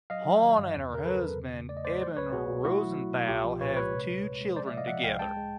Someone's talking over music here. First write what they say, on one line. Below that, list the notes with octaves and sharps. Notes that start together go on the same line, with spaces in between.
Hawn and her husband Eben Rosenthal have two children together.
F#3 D#5 F5
F#3
D#3
G2
E2
C#3 A#4
F#3 A4 B4
E2
C#3
C#3
A3 D5
D#5
A3 C5 D5
F#3 C5 D5
C2 B4 C#5
B2 F#4 G#4
B2
A3 E4 F#4
F#3
F#3
B2
C2 F4 G4
F3
A#2 B4 C#5
G#3 B4 C#5
C3
D2
C3
G#3
F3 C5 D5
D5 E5
C3
D#5 F5
F3 E5 F#5
C#2 F5 G5
G#3 G5 A5
G#3